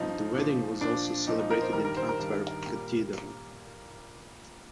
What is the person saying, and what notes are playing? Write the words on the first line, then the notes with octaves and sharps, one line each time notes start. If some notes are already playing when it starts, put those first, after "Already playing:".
The wedding was also celebrated in Antwerp Cathedral.
Already playing: G2 F3 D#4
A#2 F3
A#2 F3 D4
A#2 F3 D#4
D#4
A#4
C5
G2 D#3 G3 A#4
A#4
C5
A#4
G2 D#3 G3
A#2 G3